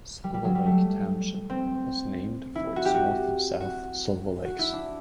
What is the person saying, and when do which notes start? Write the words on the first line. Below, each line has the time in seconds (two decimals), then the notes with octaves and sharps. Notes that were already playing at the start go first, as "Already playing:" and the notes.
Silver Lake Township was named for its north and south Silver lakes.
0.24 G3
0.34 G3
0.45 F#3
0.55 G3
0.66 A3
1.50 C4
2.55 E4
2.76 F#4
2.85 G4
2.94 F#4
3.60 F#4
4.45 F#4
4.59 E4
4.73 D4